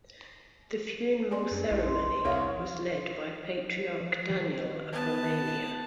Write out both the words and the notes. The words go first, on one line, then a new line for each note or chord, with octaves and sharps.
The funeral ceremony was led by Patriarch Daniel of Romania.
C4 D5 G#5 C6
F#2 D4
A#1 E4
C6
C2 A4 A#4 C#5 E5 F5
F3
D#3
B3 A5